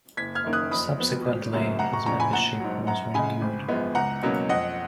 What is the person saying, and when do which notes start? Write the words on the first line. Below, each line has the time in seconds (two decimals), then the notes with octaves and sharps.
Subsequently, his membership was renewed.
0.17 F#1 G#6 B6
0.35 F6 G#6
0.44 F#2 D#3 A#3 C#4
0.53 D#6 F#6
0.71 F2 B5 D#6
0.98 F3 B3
1.25 G#1
1.52 F#2 C#3 F#3 A#3
1.79 F1 F#5 A#5
1.93 A#5 C#6
2.06 F2 C#3 A#5 C#6
2.20 G#5 B5
2.33 A#1 F#5 A#5
2.60 G#2 F#3
2.87 F#2 F#5 A#5
3.14 C#3 G#3 G#5 B5
3.41 G#1
3.69 F#2 F3 G#3 B3
3.95 C#2 F#5 A#5
4.23 B2 F#3 A#3 C#4
4.49 F2 D#5 F#5